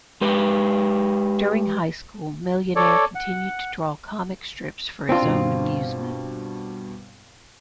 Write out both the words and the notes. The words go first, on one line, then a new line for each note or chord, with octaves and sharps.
During high school Millionaire continued to draw comic strips for his own amusement.
G#3 G4 B4
A4 C#5 D5
F#5
C4 D4 F4 G5 A5
G2 B2